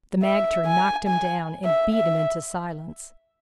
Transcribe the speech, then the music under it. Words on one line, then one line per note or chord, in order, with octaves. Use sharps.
The magter knocked him down and beat him into silence.
E5
G#5
G#5
E5
E5